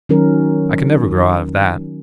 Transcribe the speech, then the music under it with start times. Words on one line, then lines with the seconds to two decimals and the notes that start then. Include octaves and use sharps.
I can never grow out of that.
0.09 D#3 F#3 C#4 A#4